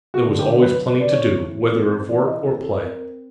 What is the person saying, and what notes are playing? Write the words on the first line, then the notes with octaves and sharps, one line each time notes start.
There was always plenty to do, whether of work or play.
F#4
D3
G4
F#3 B4
B4
D3 D5
C#5
E3
C4
E3 D5
D#5
C4 A4
A4
C4 A#4